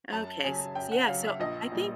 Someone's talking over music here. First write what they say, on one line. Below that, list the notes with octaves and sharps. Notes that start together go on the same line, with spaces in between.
Okay, s so, yeah, so I think
F#2 A5
C#3 F#3 G#5
F#2 G5
F#5
C#3 F#3 F5
E5
A#1 D#5
A#2 G3